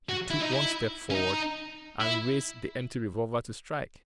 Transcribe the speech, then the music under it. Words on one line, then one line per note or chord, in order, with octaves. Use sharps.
He took one step forward and raised the empty revolver to strike.
F#4
E4
D#4
E4
C#4
D#4
E4